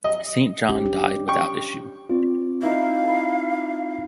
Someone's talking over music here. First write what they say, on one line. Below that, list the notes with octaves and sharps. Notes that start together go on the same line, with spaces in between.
Saint John died without issue.
D#5
C#4 G4
D4 G4
G5 C#6
C4 F4 D5
D#4 E4 E5 F5
A5 B5